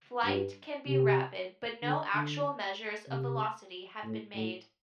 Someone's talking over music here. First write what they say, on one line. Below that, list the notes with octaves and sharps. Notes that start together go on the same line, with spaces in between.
Flight can be rapid but no actual measures of velocity have been made.
G2
C3
D3
D3
C3
A2
A2